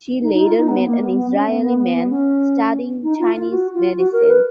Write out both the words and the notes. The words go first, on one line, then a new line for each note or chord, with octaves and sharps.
She later met an Israeli man studying Chinese medicine.
D#4
D#4
F4
D#4
B3
A#3
B3
B3
C#4
B3
B3
B3
B3
C#4
D#4
F4
F4
F#4
F4
F#4
A#4
B4